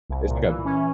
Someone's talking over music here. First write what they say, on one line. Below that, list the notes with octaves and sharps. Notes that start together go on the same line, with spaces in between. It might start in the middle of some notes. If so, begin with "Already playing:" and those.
it's, like, a
C2
A#2
E3
C#4